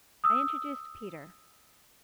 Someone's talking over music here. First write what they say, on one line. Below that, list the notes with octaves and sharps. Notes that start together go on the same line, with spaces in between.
I introduced Peter.
D#6 E6